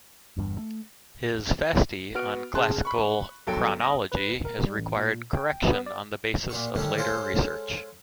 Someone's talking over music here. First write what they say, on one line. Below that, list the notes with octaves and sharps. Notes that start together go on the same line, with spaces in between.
His "Fasti", on classical chronology, has required correction on the basis of later research.
G1 E2 G2 D4
A3
B3 F#4 F6 D7
C#3 G#4 A5 C6 F#6
B5 C#6
G1 F#3 A4 G5 D7
D#6 A#6
B4
A#4
G3
A1
A#2
G5
B3
D5
A#2 D4 F#4 C#6
D3 D#3 G3 A3 C#4 D4
G#3 C#4 A4 C5 C#5 F5